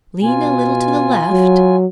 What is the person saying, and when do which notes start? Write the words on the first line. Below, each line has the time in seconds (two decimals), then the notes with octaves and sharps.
Lean a little to the left.
0.23 B2 F4 G#5
1.31 F#3